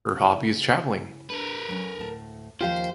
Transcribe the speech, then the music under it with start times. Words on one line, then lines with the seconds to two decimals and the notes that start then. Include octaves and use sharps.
Her hobby is travelling.
0.19 C#3 E4 F#5
1.30 D4 A#4 B4
1.68 F#3 C#4
1.98 D2 A2 A5
2.61 D#2 F3 C#4 F4 G4 C5 F5